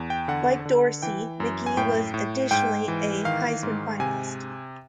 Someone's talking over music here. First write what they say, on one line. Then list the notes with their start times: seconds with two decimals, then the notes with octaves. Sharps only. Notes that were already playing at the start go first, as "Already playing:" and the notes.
Like Dorsey, McGahee was additionally a Heisman finalist.
Already playing: E2
0.10 G5
0.28 D3 F#5
0.66 D3
1.02 E3 G5
1.40 F#2
1.66 G#5
1.77 A2 G5
2.14 A2
2.51 G#2 G5
2.88 E3
3.25 D#3 F5
3.63 G#2
4.00 C3 G#5